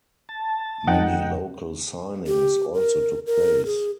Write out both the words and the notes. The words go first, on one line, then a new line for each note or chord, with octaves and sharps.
Many local signings also took place.
A5
F2 D#4 F#5 G5
G4
A#4
A#4
G#4